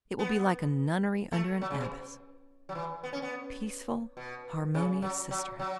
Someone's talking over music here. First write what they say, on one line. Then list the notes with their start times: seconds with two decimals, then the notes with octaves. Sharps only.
"It will be like a nunnery under an abbess--a peaceful, harmonious sisterhood."
0.19 B3
1.32 A3
1.61 F#3
1.70 C#3
1.80 B2
2.69 F#3
2.75 E3
3.04 B3
3.13 C#4
3.22 B3
4.17 B2
4.74 C#3
5.02 F#3
5.31 F#3
5.59 F#3